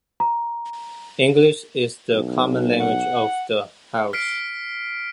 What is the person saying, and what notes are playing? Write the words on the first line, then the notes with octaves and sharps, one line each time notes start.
English is the common language of the house.
A#5
B1
F#5
F6 B6 C7 D7